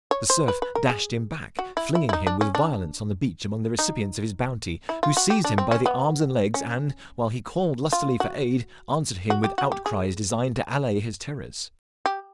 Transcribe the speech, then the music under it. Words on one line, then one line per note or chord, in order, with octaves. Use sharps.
The surf dashed him back, flinging him with violence on the beach among the recipients of his bounty, who seized him by the arms and legs, and, while he called lustily for aid, answered him with outcries designed to allay his terrors.
C#5
C5
B4
B4
A#4
G#4
F#4
E4
E4
E4
D#4
D4
C#4
D4
D#4
E4
F4
F#4
G4
D4
C4
C#4
B3
C#4
F4
F#4
F#4
G4
F#4
G4
G#4
G4